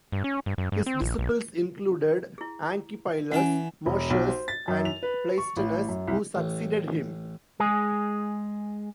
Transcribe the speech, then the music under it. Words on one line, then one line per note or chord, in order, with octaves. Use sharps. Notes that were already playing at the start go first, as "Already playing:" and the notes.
His disciples included Anchipylus, Moschus and Pleistanus, who succeeded him.
G2
C#4
G2
F#2
G2
C4
A#1
B1
E4 G#4
E3 C#4 F#5 G#5 A5
E1
B1
C5
A6
F#2
F7
B4
C#6
A1
F#2
C2
A1
G#3 G#4